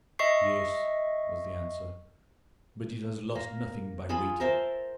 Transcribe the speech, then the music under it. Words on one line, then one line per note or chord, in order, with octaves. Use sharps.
"Yes," was the answer, "but it has lost nothing by waiting."
D#5 E5 C#6 C7
A#3
F4 G#4 A5 B5
A#4 C5 E5 A5